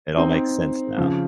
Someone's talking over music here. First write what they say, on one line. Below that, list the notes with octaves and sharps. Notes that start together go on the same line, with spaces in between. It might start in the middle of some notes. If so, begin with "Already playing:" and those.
It all makes sense now.
C4 D#4
C#3 F3